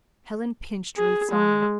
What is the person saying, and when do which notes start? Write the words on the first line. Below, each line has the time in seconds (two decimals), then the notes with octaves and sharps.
Helen pinched Ruth's arm.
0.97 G#4
1.31 G#3